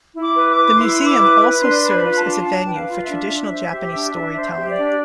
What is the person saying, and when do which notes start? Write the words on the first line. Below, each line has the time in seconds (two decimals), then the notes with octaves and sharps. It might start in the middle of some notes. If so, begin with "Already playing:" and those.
The museum also serves as a venue for traditional Japanese storytelling.
0.15 E4
0.21 D6
0.35 B4
0.49 D6
0.56 B4
0.77 E4 C6
0.99 E4
1.05 D6
1.20 B4
1.40 B4
1.61 D4 C6
1.82 B4
1.89 B5
2.03 F4
2.17 A5
2.24 D4
2.45 D4 A5
2.66 B4 G5
2.73 F5
2.87 F4
3.02 E5
3.08 D4
3.29 D4
3.50 C5
3.71 G4
3.93 D4
4.13 D4 E5
4.34 C5
4.42 E5
4.56 G4
4.70 D5
4.76 D4